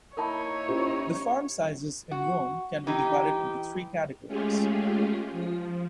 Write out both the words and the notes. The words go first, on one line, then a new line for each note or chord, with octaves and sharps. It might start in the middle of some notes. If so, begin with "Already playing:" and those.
The farm sizes in Rome can be divided into three categories.
A#3 D#4 E4 A#4 C#5 A5 B5
C#4 G4 C5
F#4
E3 D#4 G4
G#3 A3 C#4 F4 G4 G#4
F3